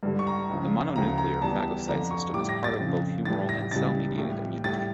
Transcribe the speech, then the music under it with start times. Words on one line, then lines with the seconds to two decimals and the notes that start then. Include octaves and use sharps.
The mononuclear phagocyte system is part of both humoral and cell-mediated immunity.
0.03 G2 D3 G3
0.19 C#6
0.27 A#5
0.49 C#2 C#3 F3
0.96 D2 C#3 F3 A#5
1.18 A#5
1.41 E2 E3 G3 A5
1.87 F2 D3 F3 A#5
2.11 C#6
2.33 A2 G3 D6
2.49 A#6
2.64 A6
2.79 F2 C#3 F3
3.25 A2 E3 G3 A6
3.49 A#6
3.71 C#2 C#3 E3 G3 A6
4.18 A2 E3 G3
4.64 A2 G3 A6